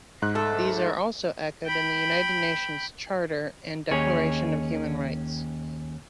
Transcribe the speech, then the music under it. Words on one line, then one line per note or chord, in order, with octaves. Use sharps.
These are also echoed in the United Nations Charter and Declaration of Human Rights.
G#2 F#6
A3 A4
G5 B5
D#2 C#4 G#4 C#5